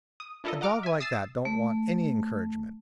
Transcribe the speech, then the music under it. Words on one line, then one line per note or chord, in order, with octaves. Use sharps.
A dog like that don't want any encouragement.
D#6
D4 E4 F4 A4 A#4 D#5
D#5 F#5 A#5 D6 F6 D7
E5 G#5
D#6 E6 A6 C7 E7
A3